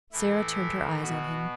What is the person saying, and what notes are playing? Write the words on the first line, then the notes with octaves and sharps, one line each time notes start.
Sara turned her eyes on him.
A2 E3 E4
B2 F#4